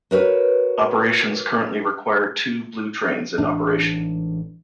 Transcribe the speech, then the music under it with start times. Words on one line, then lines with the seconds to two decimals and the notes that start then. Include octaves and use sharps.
Operations currently require two Blue Trains in operation.
0.11 F#4 A#4 B4 C#5
3.38 A1 G#2 E3 D4